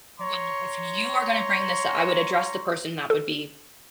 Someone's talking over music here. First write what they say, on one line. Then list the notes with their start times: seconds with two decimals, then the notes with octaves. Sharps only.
well if you are gonna to bring this up" I would address the person that would be
0.19 C#5 A#5 C6 C#6
3.10 A4